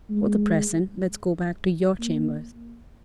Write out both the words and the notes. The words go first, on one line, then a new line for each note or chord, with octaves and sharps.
For the present let's go back to your chambers.
G#3
A#3